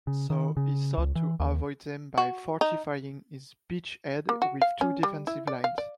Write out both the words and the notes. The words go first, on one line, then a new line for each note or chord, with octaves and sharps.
So, he sought to avoid them by fortifying his beachhead with two defensive lines.
C#3
D#3
C#3
C#2
E3
D#2
F#4
D#4
A#3
F#4
F5
C#4
G3
E4
D5
F5
D5